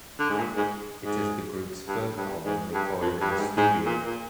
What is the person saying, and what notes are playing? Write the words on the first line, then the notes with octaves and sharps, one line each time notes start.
It is the group’s third album recorded in studio.
D3
G#2
A#2
G#2
G#2
G2
G2
G#2
G2
F2
G2
G2
G#2
G#2
A#2
A#2